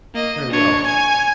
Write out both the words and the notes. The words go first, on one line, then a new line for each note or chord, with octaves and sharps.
Very well.
A#3 D#5
D4 C#5
G#5 G#6